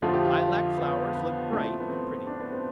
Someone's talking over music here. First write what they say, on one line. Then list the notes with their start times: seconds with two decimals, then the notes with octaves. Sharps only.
Their lilac flowers look bright and pretty.
0.02 F2 D3 F3 A3 F4
0.13 G4
0.25 F4
0.78 B3
1.15 B3
1.52 A2 F3 A3 C4
1.80 B3
1.90 C4
2.27 D4
2.40 B3
2.52 C4